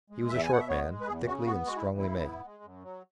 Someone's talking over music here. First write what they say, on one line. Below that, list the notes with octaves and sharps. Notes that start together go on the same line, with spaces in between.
He was a short man, thickly and strongly made.
G#3
E2 E5
G#5
B2 F#5
E5
B3 C#5
G#3
B4
E2 G#4
C#3 F#4
B3 F#4
G#3 F#4
E4
E2
E4
C#3
B3
G#3
F#2
F#3